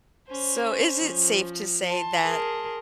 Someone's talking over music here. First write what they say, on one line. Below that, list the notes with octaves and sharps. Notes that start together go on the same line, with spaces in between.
So is it safe to say that
C#4 C5
F3
A5 C6
G#4 A#4